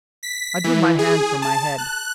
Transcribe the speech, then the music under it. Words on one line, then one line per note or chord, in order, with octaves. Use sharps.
I drew my hand from my head.
B6
E3
G#4
A5
F#6